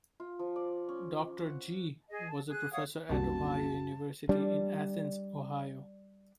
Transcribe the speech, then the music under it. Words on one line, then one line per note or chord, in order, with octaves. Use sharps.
Doctor Gyi was a professor at Ohio University in Athens, Ohio.
F4
F3
D5
C#4
F#5
G#4 D#5
A5
G#4 F#6
C#5 F5 F#5 D#6
D#1 C2 F#2 C3 F#4 A5
G3 D4